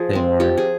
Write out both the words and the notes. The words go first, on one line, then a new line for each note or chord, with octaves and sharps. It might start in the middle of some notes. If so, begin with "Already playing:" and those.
They are.
Already playing: F3 G#4
G#3 C4
F3 G4
G#4